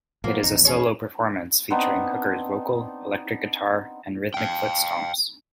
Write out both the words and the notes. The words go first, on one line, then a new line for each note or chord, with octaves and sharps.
It is a solo performance featuring Hooker's vocal, electric guitar, and rhythmic foot stomps.
A2 F3 A#3 B3
A#1 E2 C4 D#4
C#4 G#4 C#5
B3 C4 D4 D#4
F5 G5